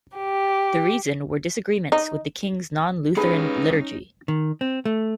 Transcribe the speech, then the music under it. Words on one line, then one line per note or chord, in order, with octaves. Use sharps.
The reason were disagreements with the King's non-Lutheran liturgy.
G4
D#4
G#3 C#4 D#4 G4 G#4 B4 B5
D#3
C4
A3